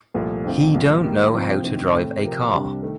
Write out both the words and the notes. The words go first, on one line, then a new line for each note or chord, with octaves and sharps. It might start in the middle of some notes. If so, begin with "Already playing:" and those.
He don’t know how to drive a car.
C2 A#2 F3 A3
F2 D3 A3 C4 F4
C2 A#2 F3
D#3 G3 A#3
C3 F3 C4
D2 C3 D#3
A2 A3 C4
C3 F3 C4 G4 A#4
C2 C3 G3 D4
D#3 A3